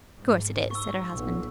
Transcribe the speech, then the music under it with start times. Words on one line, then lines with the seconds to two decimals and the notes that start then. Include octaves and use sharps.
"Course it is!" said her husband.
0.18 G#2
0.71 C#6 E6
1.11 B1 A#2